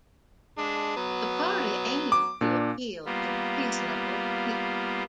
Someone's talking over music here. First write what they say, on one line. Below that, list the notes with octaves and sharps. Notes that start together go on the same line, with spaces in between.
The party aimed to appeal to 'reasonable people'.
G#3 D4
F#3 B3
D6
A#2 D4
G3 A#3 B3 F4